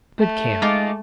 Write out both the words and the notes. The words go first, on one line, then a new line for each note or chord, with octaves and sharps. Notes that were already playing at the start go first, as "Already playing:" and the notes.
Good camp.
A3
G#3 D#4 F4 D6